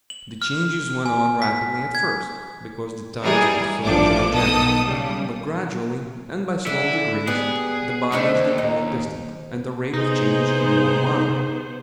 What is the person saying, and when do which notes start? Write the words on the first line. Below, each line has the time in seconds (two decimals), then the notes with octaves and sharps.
The changes went on rapidly at first, because the tides were so gigantic; but gradually, and by slow degrees, the bodies get more distant, and the rate of change more moderate.
0.10 F#7
0.42 F6
1.06 G#5
1.42 B6
1.95 G#6
3.22 E3 G3 D#4 G#4
3.84 A1 G2 F3 D4 D6
4.29 B1 D#3 B3 A4 D#6
4.83 C#3 G3
6.67 D3 E4
7.27 G3 B3 G#4
8.12 A3 C4 D4 D#4
8.36 D#2
8.58 D#4
9.93 C3 B3 D#4 G#4 C5